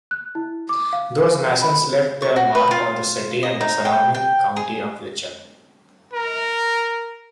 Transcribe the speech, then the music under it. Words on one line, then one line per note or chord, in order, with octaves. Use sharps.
Those masons left their mark on the city and the surrounding county of Letcher.
F#6
E4
D6
F5
B5
C#6
F#4
B4
F4
D#5
D#4
G5
G5
G#4
A#4